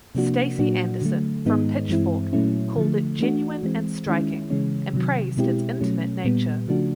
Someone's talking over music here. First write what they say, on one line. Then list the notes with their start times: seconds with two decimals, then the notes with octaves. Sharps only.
Stacy Anderson from "Pitchfork" called it "genuine and striking" and praised its intimate nature.
0.15 C3 F3 A#3 D4 F#4
0.58 A#2 F#3 A#3 D4 F#4
1.02 D3 F#3 A3
1.45 G#2 D#3 G#3 B3 D#4
1.89 G2 E3 G#3 C4 E4
2.33 A#2 F#3 A3 C#4 E4
2.76 D3 F3 A3
3.19 E3 A3 D4 F#4
3.63 E3 G#3 C4
4.06 D#3 G#3 C#4 E4
4.50 C#3 E3 G#3 C#4
4.94 C3 D#3 F#3
5.37 B2 G#3 C4 E4 G4
5.81 B2 F#3 A3 C#4
6.24 A#2 G3 B3
6.68 C#3 F3 A3 D4 F#4